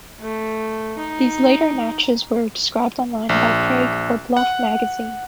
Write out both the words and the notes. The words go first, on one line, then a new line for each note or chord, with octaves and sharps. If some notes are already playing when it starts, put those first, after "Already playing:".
These later matches were described online by Craig for Bluff Magazine.
A3
D#4
A#1
F#5